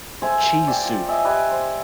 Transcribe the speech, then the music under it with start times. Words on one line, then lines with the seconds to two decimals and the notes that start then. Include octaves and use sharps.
cheese soup."
0.22 A4 C5 E5 G#5
0.68 D5 G5
0.85 F4
1.08 D#5 E5 G#5
1.24 G4 B4 D5 G#5
1.51 C5